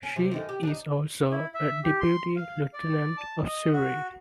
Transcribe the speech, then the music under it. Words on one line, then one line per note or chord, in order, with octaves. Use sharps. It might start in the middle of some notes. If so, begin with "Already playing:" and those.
She is also a Deputy Lieutenant of Surrey.
C#4
C3
F#2 D#3 A3
G4
D4 D#4
E4
E5
G4
C6
F5
D5
A5
D#5
F#4